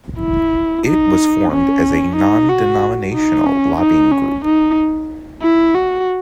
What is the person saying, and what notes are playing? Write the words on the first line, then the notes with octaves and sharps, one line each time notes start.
It was formed as a non-denominational lobbying group.
E4
D#4
C#4
D#4
F#4
D#4
C#4
D#4
C#4
D#4
E4
F#4